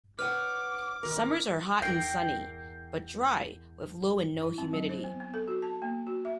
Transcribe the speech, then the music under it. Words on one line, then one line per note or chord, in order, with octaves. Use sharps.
Summers are hot and sunny, but dry, with low or no humidity.
B4 C#5 F#5 D6 F6
D#3 A#4
E2 A#4 G5 G6 C7
E4
C4
F#3
C5
B3
B3
A4
F#4
A5
A#3
F#4
E5